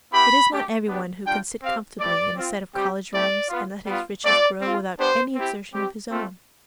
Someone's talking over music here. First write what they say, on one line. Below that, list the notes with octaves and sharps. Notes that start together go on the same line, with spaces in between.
'It is not every one who can sit comfortably in a set of college rooms, and let his riches grow without any exertion of his own.
B3 E4 G4 B5
A3 D4 G4
B3 D4 G4
G3 D4 F4 G5
C4 G4 F5
A3 E4 G4 D5
C4 F4
G3 C4 G4
A3 C4 E4 G4 D5
B3 F4
G3 B3 F4
A3 C4 F4 D5
C4 F4
B3 D4 G4 C5
C4 E4 G4
G3 C4 G4
A3 C4 F4